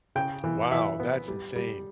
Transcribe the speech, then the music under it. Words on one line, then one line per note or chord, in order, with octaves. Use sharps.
Wow, that's insane.
C#3 G5
E3
E3 E5
B3
G3
G3